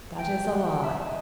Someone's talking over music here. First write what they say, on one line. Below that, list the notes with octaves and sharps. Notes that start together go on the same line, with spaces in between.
That is a lie.
G5
F#5
E5
D#5